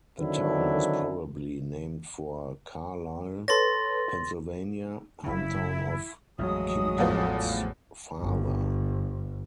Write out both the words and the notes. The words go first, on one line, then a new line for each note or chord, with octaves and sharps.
The town was probably named for Carlisle, Pennsylvania, hometown of Kincart's father.
D3 D#3 F#3 C4 D4 E4
A4 B4 C#5 C6 A6 A#6
F#1 C#3 E4
A1 F2 F#3 G#3 D#6
E2 A2 F3
G1